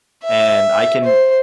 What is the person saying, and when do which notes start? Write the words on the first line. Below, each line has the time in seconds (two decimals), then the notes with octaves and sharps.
And I can
0.24 E5
1.04 C5